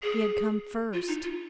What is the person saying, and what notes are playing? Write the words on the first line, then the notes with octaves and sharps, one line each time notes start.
He had come first!
G#4
F4
D#4
F4